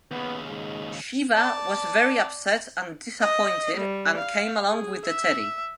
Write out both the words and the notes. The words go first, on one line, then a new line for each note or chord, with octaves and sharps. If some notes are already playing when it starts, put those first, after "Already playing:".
Shiva was very upset and disappointed and came along with the Teddy.
D#2 C#3 B3
G#2
D5 A5
D#5
G3
F5
G#4
E5